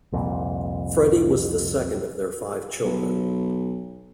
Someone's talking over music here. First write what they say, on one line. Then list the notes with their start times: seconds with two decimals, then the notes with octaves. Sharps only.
Fredi was the second of their five children.
0.12 C2 F2 A#2
2.85 B1